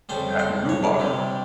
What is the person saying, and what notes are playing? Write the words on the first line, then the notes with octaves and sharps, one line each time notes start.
At Rhubarb!
F2 C#3 G3 C5
C5
C#5
C3 G3